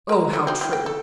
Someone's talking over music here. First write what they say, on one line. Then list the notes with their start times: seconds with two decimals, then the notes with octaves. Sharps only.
Oh, how true!
0.09 A#4 A#5
0.33 D3 D#3
0.47 C4 D4 F#4
0.61 C4 E4
0.73 G5
0.86 A4